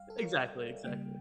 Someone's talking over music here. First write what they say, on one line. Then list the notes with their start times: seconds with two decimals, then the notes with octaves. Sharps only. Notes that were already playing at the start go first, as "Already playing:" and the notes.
Exactly, exactly.
Already playing: G3 F5 G5
0.10 A4
0.18 A#4
0.25 C#5
0.32 D5
0.39 E5
0.84 C#3 G3 A#3 G5